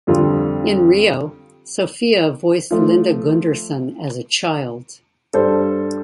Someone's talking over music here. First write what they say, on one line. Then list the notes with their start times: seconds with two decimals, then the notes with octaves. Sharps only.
In "Rio", Sofia voiced Linda Gunderson as a child.
0.07 F2 D3 G3 F4 A4
2.71 F3 A3 F4
5.33 G2 G3 D4 A4 C5